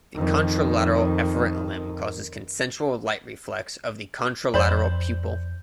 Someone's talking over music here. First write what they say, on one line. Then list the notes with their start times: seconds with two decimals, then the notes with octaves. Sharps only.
The contralateral efferent limb causes consensual light reflex of the contralateral pupil.
0.14 F2 D#3
4.54 F2 C5 D5 B5 G6